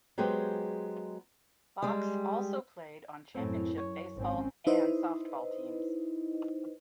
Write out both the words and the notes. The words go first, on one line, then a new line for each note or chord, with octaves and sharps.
Box also played on championship baseball and softball teams.
F#3 G#3 B3 G4 G#4 C5
G3 G#3
F#2 A2 C4
C#5
G#1 C4 C#4
D#4 E4 B4 C5 D#5